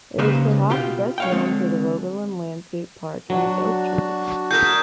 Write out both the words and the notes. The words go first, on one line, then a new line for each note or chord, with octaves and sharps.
It is perhaps best known for the Rogalin Landscape Park and its oak trees.
C#3 A#3 D#4 G4 B4 C5
B2 F4 G4 G5
C#5 F5 G5
D3 G#3 C4
F#3 D4 F#4
G#4 A#4 E5 G6